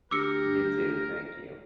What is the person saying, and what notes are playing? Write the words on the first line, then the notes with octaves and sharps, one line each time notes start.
You too. Thank you.
D2 G4 A#4 D6 E6 C#7